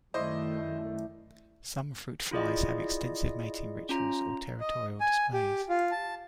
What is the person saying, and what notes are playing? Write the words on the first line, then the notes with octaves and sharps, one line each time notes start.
Some fruit flies have extensive mating rituals or territorial displays.
F#2 D#3 A3 E4 C5 D5 D#5
E4 F4 G#4 D5 D#5
C#4 F4 A#5
D#5
G#5
G4
F4
A5